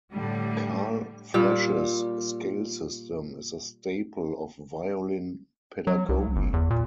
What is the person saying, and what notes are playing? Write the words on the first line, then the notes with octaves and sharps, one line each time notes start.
Carl Flesch's "Scale System" is a staple of violin pedagogy.
A2 D3 G3
A#2 G3
F#3
C2
G1
E2
A#2